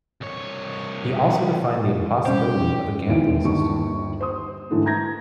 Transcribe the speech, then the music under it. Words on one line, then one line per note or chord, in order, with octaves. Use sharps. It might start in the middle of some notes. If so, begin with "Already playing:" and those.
He also defined the impossibility of a gambling system.
C2 C#5
G3 C#4 G4 C5
E1 D#2 D#3 E3 C4 D7
G1 D#2 G3 D4 C#6
C5 D#6
G#2 D3 E3 A3
A#5 G6 G#6 A#6